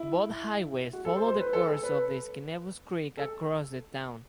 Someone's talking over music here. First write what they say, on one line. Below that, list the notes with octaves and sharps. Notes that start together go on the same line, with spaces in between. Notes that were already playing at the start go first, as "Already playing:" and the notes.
Both highways follow the course of Schenevus Creek across the town.
Already playing: E4
F#4
A4
C5
C5
B4
A4
A4
B4
A4